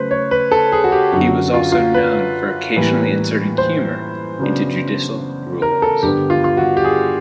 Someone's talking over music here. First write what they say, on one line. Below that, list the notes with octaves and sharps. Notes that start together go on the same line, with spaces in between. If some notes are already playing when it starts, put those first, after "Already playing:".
He was also known for occasionally inserting humor into judicial rulings.
Already playing: C#3 F#3 A3 B4 C5
C#5
B4
A4
G#4
F#4
G4
F#2 D3 F#3 F#4
F4
F4
B4
A2 E3 G3 A#3
C5
C#3 F#3 B3 D4
A#4
A4
G2 D3 G3 B3 G4
F4
F4
F#4
G4
G#4